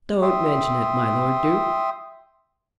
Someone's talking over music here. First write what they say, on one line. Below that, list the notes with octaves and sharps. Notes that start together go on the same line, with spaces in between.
"Don't mention it, my Lord Duke."
E5 G5 C6 D#6